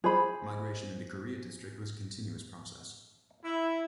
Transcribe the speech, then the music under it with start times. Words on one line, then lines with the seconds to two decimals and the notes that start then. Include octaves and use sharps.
Migration into Korea District was a continuous process.
0.04 G#4 C5 B5
3.44 E4